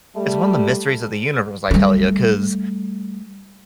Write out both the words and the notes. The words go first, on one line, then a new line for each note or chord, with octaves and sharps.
it's one of the mysteries of the universe, I tell ya, 'cause
G3 A3
G3 A3